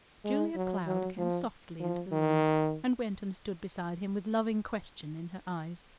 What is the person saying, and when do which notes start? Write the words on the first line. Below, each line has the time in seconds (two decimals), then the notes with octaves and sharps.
Julia Cloud came softly into the room, and went and stood beside him with loving question in her eyes.
0.24 G#3
0.55 F#3
0.86 F#3
1.18 F3
1.80 F3
2.12 D#3